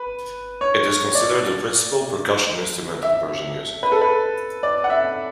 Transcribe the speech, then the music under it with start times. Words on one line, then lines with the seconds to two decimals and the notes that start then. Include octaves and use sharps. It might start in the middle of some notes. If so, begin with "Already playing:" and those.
It is considered the principal percussion instrument of Persian music.
Already playing: B4
0.61 C#5
0.87 C#5
1.15 D5
3.03 E5
3.83 B4
3.92 A4
4.01 B4
4.63 D5
4.84 F#5
4.90 E5